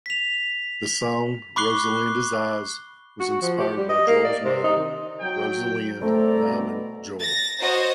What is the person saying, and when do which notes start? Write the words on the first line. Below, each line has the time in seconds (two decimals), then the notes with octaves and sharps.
The song "Rosalinda's Eyes" was inspired by Joel's mother, Rosalind Nyman Joel.
0.06 B6 F7
1.56 B5 C#6 D6 F#6 C7 G7
3.20 F#4
3.42 F3
3.60 G4
3.78 G3
3.89 D#5
4.07 A#3
4.25 D5
4.44 C3
4.64 D#4
4.77 D#3
5.21 F#3 G5
6.02 C2 A3 C4 A4 D5 A#5
6.44 B2
7.18 A6 A#6
7.59 F#4 C5 C#5 D#5